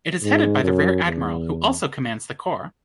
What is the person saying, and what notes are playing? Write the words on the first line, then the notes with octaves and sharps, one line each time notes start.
It is headed by the Rear Admiral, who also commands the Corps.
G#2
F#2
E2